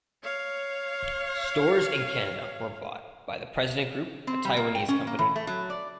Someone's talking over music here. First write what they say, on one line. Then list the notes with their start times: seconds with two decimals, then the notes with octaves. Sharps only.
Stores in Canada were bought by The President Group, a Taiwanese company.
0.23 C#5 F5
4.27 C4
4.45 G3
4.57 A#3
4.75 G5
4.88 C#4
5.07 A#3
5.19 E3
5.36 A3
5.47 F#3
5.70 D5